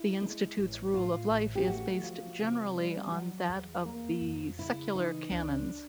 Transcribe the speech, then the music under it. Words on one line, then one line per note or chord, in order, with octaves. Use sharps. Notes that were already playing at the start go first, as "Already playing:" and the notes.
The institute's rule of life is based generally on that of the secular canons.
Already playing: E4
G#3
A1
A2 F4
A1
G4
A3 F#4
F3
C3
G3
F#3
E2
A#3
F2
C#3 E4
E3 D#4
C#2 D4